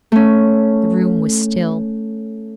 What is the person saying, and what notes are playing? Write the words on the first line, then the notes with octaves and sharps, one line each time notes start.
The room was still.
A3 C#4